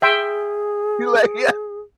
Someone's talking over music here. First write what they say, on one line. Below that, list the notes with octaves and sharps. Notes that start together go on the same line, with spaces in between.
you, like yeah.
G#4 E5 G5 C6